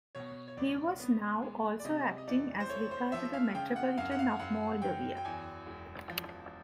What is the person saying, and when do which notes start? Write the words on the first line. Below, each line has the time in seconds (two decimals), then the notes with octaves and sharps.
He was now also acting as vicar to the Metropolitan of Moldavia.
0.15 B2 C#5
0.48 C#5
0.57 C#2 D5
1.00 B3
1.42 G#3
1.80 D5
1.85 C3 D#5
2.18 D#5
2.27 E2 D5
2.60 C5
2.69 A3 C#5
2.91 C5
3.12 F3 E5
3.33 F5
3.55 C#3 G5
3.76 F#5
3.97 F#2 F5
4.11 F#5
4.19 F5
4.39 F#2 F#5
4.82 F#3 G5
5.17 G5
5.25 E2 G#5
5.66 E1
6.10 F3